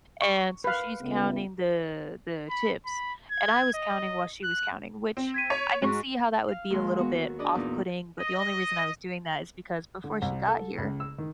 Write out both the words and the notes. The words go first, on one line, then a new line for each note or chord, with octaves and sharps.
And, so she's counting the the tips. And I was counting while she was counting, which, I can see how that would be a little bit off putting, but the only reason I was doing that is because before she got here,
C#6
B4 F5
C#2 A3 B3
B5
B5
G#6
D#5
F#6
C4
G#6 B6 D#7
C#5
G#2 F#4 G#4 C#6
F5
D#2 G#3 C6
B3 F#4
D4 G#4 B4 D5 D#5
E2 A#2 D#4
D#5
D3
C2
A4
C#2
E6
D#3